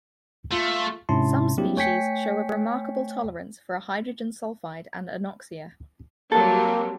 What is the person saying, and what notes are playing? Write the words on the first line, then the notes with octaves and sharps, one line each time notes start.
Some species show a remarkable tolerance for hydrogen sulfide and anoxia.
A3 F4
G#2 C3 C#4 E4 A5 C6
F#3 A#3 C4 D4 E4 G4
A3 C#5 G5 G#5 B6 C#7
F#3 G3 A#3 C4 A4